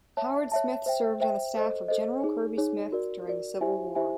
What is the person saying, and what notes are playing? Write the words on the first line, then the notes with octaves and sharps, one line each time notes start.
Howard Smith served on the staff of General Kirby Smith during the Civil War.
C#5 E5 A5
C#5 E5 A5
C5 E5 G5
C5 E5 G5
A4 C5 D#5
A4 C5 D#5
D#4 G#4 C#5
D#4 G#4 C#5
F#4 A#4 D5
F#4 A#4 D5
E4 G4 C5 E5 G#5
E4 G4 C5 E5 G#5